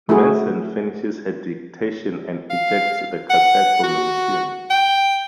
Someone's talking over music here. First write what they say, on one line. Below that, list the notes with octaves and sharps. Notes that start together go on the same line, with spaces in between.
Manson finishes her dictation and ejects the cassette from the machine.
A3 E4 F#4 G#4
F5
F#5
F#4
G5